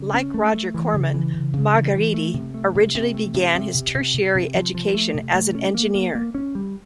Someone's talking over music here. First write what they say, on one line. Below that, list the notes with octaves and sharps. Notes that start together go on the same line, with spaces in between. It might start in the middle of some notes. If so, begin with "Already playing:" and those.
Like Roger Corman, Margheriti originally began his tertiary education as an engineer.
Already playing: C#3
C#4
A3
A3
E3
C#3
E3
C#3
C#3
E3
E3
A3
C3
A3
C3
C3
A3
C3
C3
C3
C3
C3
C3
F3
F3
A3
C3
A3
C#4
A#3
A#3
A#3
C#4
G3